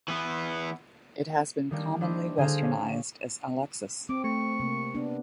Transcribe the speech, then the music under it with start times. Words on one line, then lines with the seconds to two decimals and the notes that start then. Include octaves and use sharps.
It has been commonly westernized as Alexis.
0.08 E3 B3
1.71 D#3 G3 A#3 D4
2.00 A#3 D4 E4 C5 D#5
2.38 D3 G#4 C5 F5 A#6
2.63 G3 C#4
4.09 C4 D6
4.24 A3 C#6
4.60 C3 A#3
4.95 B3 D4